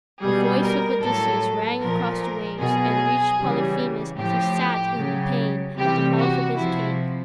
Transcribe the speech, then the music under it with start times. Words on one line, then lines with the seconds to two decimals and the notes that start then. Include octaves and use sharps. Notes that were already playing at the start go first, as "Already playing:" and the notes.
The voice of Odysseus rang across the waves, and reached Polyphemus as he sat in pain at the mouth of his cave.
0.21 B2 G3 G#4
0.61 A#4
1.00 A2 F#3 A4
1.80 A#2 F3 A#4
2.19 A#4
2.59 B2 F#3 G#4
3.39 C#3 E3 G3
4.18 A2 F3 G4
4.98 C#3 F#3
5.77 C3 E3 G3 G4
6.16 F#4
6.56 C3 F3 E4